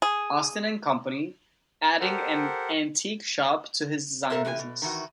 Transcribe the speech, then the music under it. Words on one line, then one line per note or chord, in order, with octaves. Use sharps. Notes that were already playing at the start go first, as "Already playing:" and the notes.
Austin and Company, adding an antique shop to his design business.
G#4
G4 A4 A#4 C5 F#5
A#2 A4 A#4 C5 E5
C3 E3 G4 A#4 G#5
B2
D#3 E3 F#4